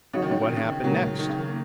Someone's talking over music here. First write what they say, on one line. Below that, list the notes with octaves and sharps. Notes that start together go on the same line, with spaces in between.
"What happened next?"
C#3 F#3 D#4 F#4 C#5
D#3
C#3
D#3
C#3
D#3
A#2 F#3 G#3 F#4 A#4
D#3
C#3
D#3
A#3